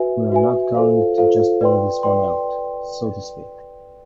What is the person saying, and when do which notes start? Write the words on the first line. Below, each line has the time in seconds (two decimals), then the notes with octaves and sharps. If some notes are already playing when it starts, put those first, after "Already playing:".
We're not going to just bang this one out, so to speak.
Already playing: F#4 B4 E5 G#5
0.32 F#4 B4 E5 G#5
0.75 F4 A4 C5 F5
1.18 F4 A4 C5 F5
1.61 B4 D5 G5 C6
2.03 B4 D5 G5 C6